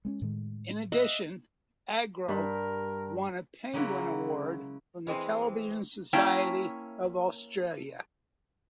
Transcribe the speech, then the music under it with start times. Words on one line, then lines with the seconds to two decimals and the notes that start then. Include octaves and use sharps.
In addition, Agro won a Penguin Award from the Television Society of Australia.
0.05 G#3 B3 C#4
0.22 A2 D#3 G#3
0.92 D#5 E5 F#5
2.28 G2 A#4 B5
3.73 C#3 F#3 G#3 A#3 E4 F#4
5.07 E3 G#3 C4
6.13 A#3 C#4 E4 C#5 G5 A5